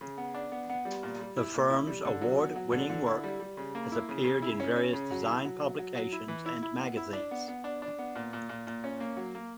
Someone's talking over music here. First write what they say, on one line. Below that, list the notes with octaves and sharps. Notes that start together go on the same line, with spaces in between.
The firm's award-winning work has appeared in various design publications and magazines.
C#3
B3
D4
B3
B3
G3
A#2
G3
E4
A#2
E4
G3
D3
F#3
B3
F#3
D3
D3
E4
G3
G3
C#3
A#3
E4
C#3
C#3
E4
C#4
C#4
C#3
F#3
E4
F#3
F#3
F#3
F#3
E4
E3
E4
E4
B3
E4
D4
B3
B3
D4
D4
B3
A#2
A#2
A#2
A#2
C#4
A#3
F#3
A#3